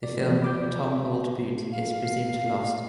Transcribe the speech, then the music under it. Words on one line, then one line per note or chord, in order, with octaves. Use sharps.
The film "Tom Old Boot" is presumed lost.
D5
E3 F3 A#3
B5 D6 G6
F4 D5
F5